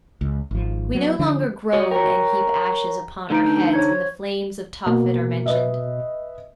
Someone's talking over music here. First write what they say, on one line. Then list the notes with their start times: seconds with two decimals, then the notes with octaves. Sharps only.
We no longer groan and heap ashes upon our heads when the flames of Tophet are mentioned.
0.21 C#2
0.51 G#1 F3
0.94 F#3 B3
1.19 D3 F3 D4
1.73 F#4 C#5 D#5
1.91 A#4 C#5 G5 A#5 A#6
3.30 D3 A3 D#4 B4 D7
3.46 D4 G6
3.73 C5 C#5 G#6
4.86 B2 A#3
5.46 B4 D#5 E5